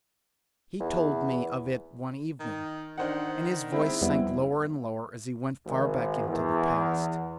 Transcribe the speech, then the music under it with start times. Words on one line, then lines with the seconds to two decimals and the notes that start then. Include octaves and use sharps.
He told me of it one evening, and his voice sank lower and lower as he went far back into the past.
0.80 E2
2.40 D#3
2.98 D#3 D4 C5 F#5
3.72 G#3 C4 E4
4.01 F2 G3 B3
5.65 G#1
6.27 E2